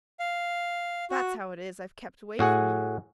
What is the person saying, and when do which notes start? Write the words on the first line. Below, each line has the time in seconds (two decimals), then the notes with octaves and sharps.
That's how it is I've kept away from you.
0.19 F5
1.10 F#4
2.39 A2 F#4 G#4 F#5